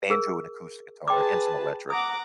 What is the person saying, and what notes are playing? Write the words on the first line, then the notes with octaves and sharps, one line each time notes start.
banjo and acoustic guitar, and some electric.
G#4 A#4
G#4 B4 G5 A5 C6 D6
F#5 A#5 D6 D#6